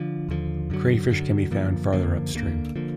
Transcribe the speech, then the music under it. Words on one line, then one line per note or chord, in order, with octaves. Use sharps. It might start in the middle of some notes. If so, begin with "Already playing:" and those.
Crayfish can be found farther upstream.
Already playing: D3 F3
D#2 D3 F3
F#2 D3 F#3
F#2 D3 F#3
F#2 D3 F3 A#3
F#2 D3 F3 A#3
D2 D3 F3 A#3
D3 F3 A#3